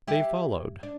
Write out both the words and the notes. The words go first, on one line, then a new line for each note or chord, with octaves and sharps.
They followed.
E4 G4
D4